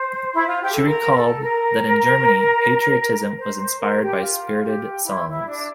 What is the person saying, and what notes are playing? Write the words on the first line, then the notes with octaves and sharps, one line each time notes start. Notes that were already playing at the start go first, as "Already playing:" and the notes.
She recalled that in Germany patriotism was inspired by spirited songs.
Already playing: C5
E4
F4
G4
A4
A#4
A4
A#4
C5
C5
A#4
G4
F4
G4
E4
E4
D4